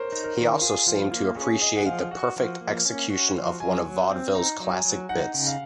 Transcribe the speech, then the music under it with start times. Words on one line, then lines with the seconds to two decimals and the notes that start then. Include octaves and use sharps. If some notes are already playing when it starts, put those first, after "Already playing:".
He also seemed to appreciate the perfect execution of one of vaudeville's classic bits.
Already playing: A#4 C5 C#5
0.12 D#4
0.24 A#4
0.37 D#3
0.61 F4 G#4
0.87 F3 F4
1.11 A#3 F4
1.37 C#4 G#4
1.61 G#4 D#5
1.76 F#5
1.86 F3 F5
2.11 F#4 F#5
2.36 F3
2.61 A#3
2.85 C#4
3.10 F#4
3.35 F3
3.60 F#3 G#5
3.85 F#3
4.11 C4
4.35 D#4 A#5
4.60 F#3
4.72 G#5
4.85 F#3
5.09 D#4 F#5
5.34 C#3
5.47 F5